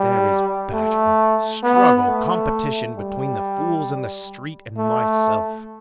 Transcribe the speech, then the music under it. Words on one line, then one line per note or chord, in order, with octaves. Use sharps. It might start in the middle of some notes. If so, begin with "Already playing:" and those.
There is battle, struggle, competition between the fools in the street and myself.
Already playing: G3
A3
B3
A3
G3
A3